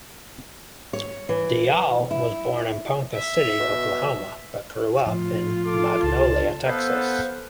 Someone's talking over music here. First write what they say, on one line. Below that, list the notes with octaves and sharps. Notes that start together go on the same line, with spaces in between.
Dial was born in Ponca City, Oklahoma, but grew up in Magnolia, Texas.
C#5
E3
E4
E5
B2
A2 F3 F4
A4 D6
C#2 A5
B3 A4 B4 C5 F5